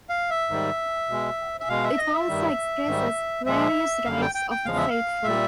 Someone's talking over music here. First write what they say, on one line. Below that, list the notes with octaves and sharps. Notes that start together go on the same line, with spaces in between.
It also expresses various rights of the faithful.
F5
E5
G#2 D#3 G3
B2 G#3
E5
B2 G#3 F5
E5
D#5
E5
G2 D#3 G3
G#2 D#3 G3
A#2 F3 G#3 E5
F#2 D3 G3 F5
G5
G5
G5
E2 C#3 F3 G#3 F5
E5
F5
A#2 G3 E5